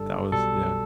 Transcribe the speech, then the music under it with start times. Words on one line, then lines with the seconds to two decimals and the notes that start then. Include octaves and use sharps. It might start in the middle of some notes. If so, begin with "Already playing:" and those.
That was yeah.
Already playing: G1 G2 G3 A4
0.32 B1 B2 G3 A4